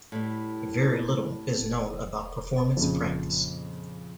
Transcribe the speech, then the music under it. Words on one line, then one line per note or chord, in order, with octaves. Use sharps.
Very little is known about performance practice.
A2 G3
F2 A#2 C#3